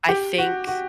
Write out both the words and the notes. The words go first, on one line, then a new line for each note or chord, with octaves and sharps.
I think
G4
F#4
F#4